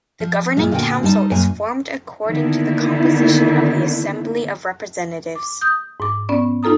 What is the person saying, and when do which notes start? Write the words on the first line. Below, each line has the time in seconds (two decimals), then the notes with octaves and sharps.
The Governing Council is formed according to the composition of the Assembly of Representatives.
0.20 F3
0.57 F#2 A#2 G#3
0.71 A#2 D3 B3 F#4 G5 G#5
1.03 G3 D#4 G#5 A5
1.31 F#2 A#2 A#3 G#5
2.26 D3 D#3 A#3 B3 E4
5.35 D6
5.61 D#6 G6
6.00 G#2 D6
6.29 B3 C#4 D5
6.63 D#4 F4 A4 A#5 D#6